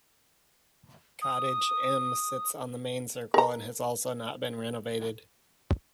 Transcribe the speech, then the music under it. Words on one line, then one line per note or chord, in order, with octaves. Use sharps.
Cottage "M" sits on the main circle and has also not been renovated.
D#6
A#4 A#5